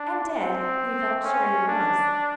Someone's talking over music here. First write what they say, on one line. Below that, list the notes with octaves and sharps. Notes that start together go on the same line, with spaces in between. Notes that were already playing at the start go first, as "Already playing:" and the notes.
And dead he felt sure he was.
Already playing: D4
C4
C#4
D4